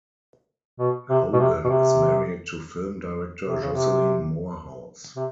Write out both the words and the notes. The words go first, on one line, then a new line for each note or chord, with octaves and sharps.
Hogan is married to film director Jocelyn Moorhouse.
B2
C3
B2
C3
B2
C3
C3
C#3
C3
C3